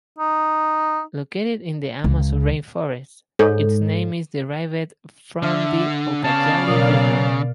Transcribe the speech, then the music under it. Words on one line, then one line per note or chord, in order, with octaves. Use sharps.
Located in the Amazon rainforest, its name is derived from the Ucayali River.
D#4
C#2
G#2 A4 C#5
D3 E5 F6
C#3 B3 D5 F5 A5
B2 F#3 A#4